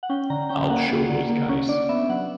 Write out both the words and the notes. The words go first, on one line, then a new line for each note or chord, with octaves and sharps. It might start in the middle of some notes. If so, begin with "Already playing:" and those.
I'll show those guys.
F#5
C#4 G5
D3 A#5
C#4 G5
A#3 F#5
A#3
D3
A#3
C#4
D4 D5
B3 E5
F#3 F#5